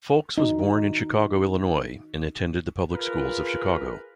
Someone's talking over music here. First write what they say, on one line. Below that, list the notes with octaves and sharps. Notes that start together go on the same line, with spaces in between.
Foulkes was born in Chicago, Illinois and attended the public schools of Chicago.
D#4 F#4
F4 G#4 A#4 B4